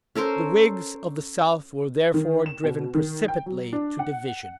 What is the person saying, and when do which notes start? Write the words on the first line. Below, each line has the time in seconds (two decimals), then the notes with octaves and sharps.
The Whigs of the South were therefore driven precipitately to division.
0.15 C#4 A4 A#4 C5
2.14 D#3
2.46 E7
2.64 B2
2.95 D#3
3.28 G5
3.46 F#3
3.73 D4
3.99 F#5